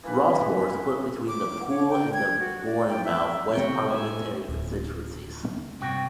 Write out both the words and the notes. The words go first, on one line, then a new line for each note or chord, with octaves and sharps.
Rossmore is split between the Poole and the Bournemouth West parliamentary constituencies.
E3 A#3 B4 B5
D6
C#5
G5
G#6
F#4
D5
G5
E5
C3 F#4 G5
A2 E5 G#5
D1
G2 C3 F#4 G5